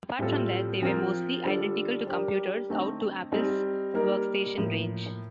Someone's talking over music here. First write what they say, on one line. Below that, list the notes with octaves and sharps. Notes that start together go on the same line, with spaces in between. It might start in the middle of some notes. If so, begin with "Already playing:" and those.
Apart from that, they were mostly identical to computers out of Apple's workstation range.
A2 G3 C4 F4 A4
F3 C4 F4 A#4
D3 G3 D4 F4 A4
G3 D4 G4 A#4
D3 A3 C4 D#4
G3 C4 D#4
G3 A#3 D#4 A#4
A2 F3 A#3